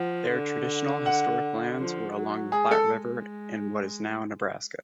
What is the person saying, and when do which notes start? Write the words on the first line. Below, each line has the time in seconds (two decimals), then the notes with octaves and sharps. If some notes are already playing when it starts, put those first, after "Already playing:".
Their traditional historic lands were along the Platte River in what is now Nebraska.
Already playing: F3 F#5
0.32 D3
1.06 F#5
1.79 F3
2.16 F#3
2.52 G#3 G#4
2.71 A4